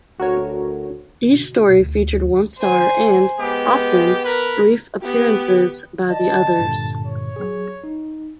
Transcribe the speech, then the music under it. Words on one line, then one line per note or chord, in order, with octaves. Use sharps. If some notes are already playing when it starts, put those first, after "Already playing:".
Each story featured one star and, often, brief appearances by the others.
D2 F#4 A#4 C#5
B2
D2
C5 G#5
G#3 B3 G4
A#4 B4
B3 G4
D5 D#5 A5
G2 A#2 D3
C#5
F#3 G#4
D#4